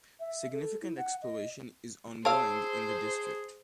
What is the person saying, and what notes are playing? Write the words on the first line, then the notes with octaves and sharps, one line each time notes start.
Significant exploration is ongoing in the district.
E5
A4
E4
F#5
D#5
G#4 C5 C#5 F5 A5 E6